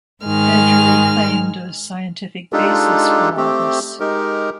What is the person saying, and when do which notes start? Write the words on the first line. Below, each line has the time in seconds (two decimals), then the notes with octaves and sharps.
Edgerly claimed a scientific basis for all this.
0.23 G#2 D#3 G#3 F6
2.53 G#3 D4 D#4 F4 G4 A4
3.37 A3 C4 G4
4.00 G#3 D#4 G4 A#4